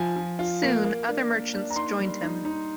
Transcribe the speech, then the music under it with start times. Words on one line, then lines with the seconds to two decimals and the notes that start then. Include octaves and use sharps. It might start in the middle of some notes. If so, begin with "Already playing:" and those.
Soon other merchants joined him.
Already playing: F3 G#5
0.16 F3
0.39 F4
0.63 A#3
0.84 A#3
1.08 D4
1.31 A#3
1.53 D4
1.70 A#5
1.76 D#4 C6
1.99 G3
2.22 D#4
2.45 D#4